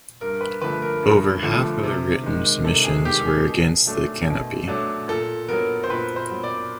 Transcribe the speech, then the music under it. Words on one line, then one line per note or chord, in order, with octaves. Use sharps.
Over half of the written submissions were against the canopy.
G2 A#4
B4
D3 F3 A3 B4
A#4
G2
D3 F3 A3
C3
D#3 G#3
C3 A4
G#4
D#3 G#3 G4
G#4
B2
F#3 A3 D4
B2
F#3 A3 D4
A#2 A4
F#3 B3 A#4
C5
A#2 B4
C5
F#3 B3
D5